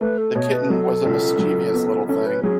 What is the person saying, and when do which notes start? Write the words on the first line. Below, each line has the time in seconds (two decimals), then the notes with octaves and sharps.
The kitten was a mischievous little thing.
0.01 A3 B4
0.18 A4
0.35 B2 C#5
0.53 B4
0.70 F#3 A4
1.05 C#2
1.39 F#3
1.74 B3
2.08 C#4 A4
2.26 B4
2.43 F#3 G#4